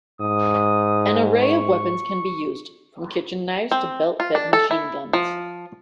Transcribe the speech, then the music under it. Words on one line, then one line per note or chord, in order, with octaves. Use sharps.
An array of weapons can be used, from kitchen knives to belt-fed machine guns.
G#2 D#6
C#6
C4
F4
D4
A4
E4
F3